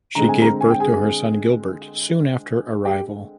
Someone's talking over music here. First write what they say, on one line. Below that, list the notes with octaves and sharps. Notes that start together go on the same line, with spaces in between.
She gave birth to her son Gilbert soon after arrival.
D3 G#3 C4 A#5
G#5
A#4 A#5
G#5
G5
G#4 G#5
G4 G5